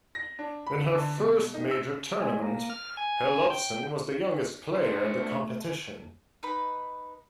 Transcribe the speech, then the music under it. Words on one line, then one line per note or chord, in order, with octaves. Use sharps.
In her first major tournament, Herlovsen was the youngest player at the competition.
A#6
D4
B5
D3
B2
D#4
E6
G#3
A#3
F6
G#5
G5
D4 C5
A3
D#4 B4 B5